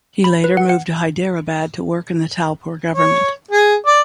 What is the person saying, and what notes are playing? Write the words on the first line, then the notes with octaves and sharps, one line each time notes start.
He later moved to Hyderabad to work in the Talpur government.
B5
B4
F#5
F#5
C#5
G#4
D5